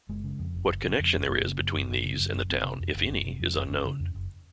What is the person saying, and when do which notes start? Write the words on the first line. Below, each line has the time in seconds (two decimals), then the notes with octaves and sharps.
What connection there is between these and the town, if any, is unknown.
0.09 F#1 G#3
0.24 C#3
0.39 F2
0.54 F#1
0.69 F#1
0.84 C#3
0.99 F2
1.14 F#1
1.29 F#1 A#3
1.44 C#3
1.59 F#2
1.74 F#1
1.89 F#1
2.04 C#3
2.19 F#2
2.34 F#1
2.50 F#1 C4
2.65 C3
2.80 F2
2.95 F#1
3.10 F#1
3.25 C3
3.40 F2
3.55 F#1
3.70 F#1 C#4
3.85 C#3
4.00 F2
4.15 F#1